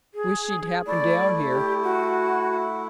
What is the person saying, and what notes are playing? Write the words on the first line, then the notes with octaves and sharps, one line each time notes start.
Wish she'd happen down here.
G#4
A3 E4 D5
G4
F#4